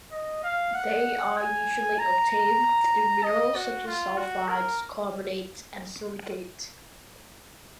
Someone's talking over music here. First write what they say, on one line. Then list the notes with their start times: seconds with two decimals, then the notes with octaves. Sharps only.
They are usually obtained through minerals such as sulfides, carbonates, and silicates.
0.12 D#5
0.44 F5
0.74 F#5
1.37 G#5
1.99 A#5
2.31 A#5
3.24 D#5
3.55 F#4
3.87 F4
4.17 F#4
4.48 A#4